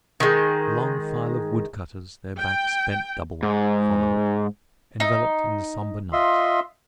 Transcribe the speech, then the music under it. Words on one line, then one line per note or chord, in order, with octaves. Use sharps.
A long file of woodcutters, their backs bent double, followed, enveloped in the somber night.
D#3 G#3
G5
G#2
D#4
F4 D#5 E5 C6